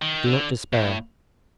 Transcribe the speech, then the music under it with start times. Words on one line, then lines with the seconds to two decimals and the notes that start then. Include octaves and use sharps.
Do not despair!
0.02 D#3
0.26 D3
0.73 A2